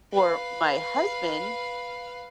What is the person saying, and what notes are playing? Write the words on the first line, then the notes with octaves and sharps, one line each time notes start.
for my husband,
B4 F5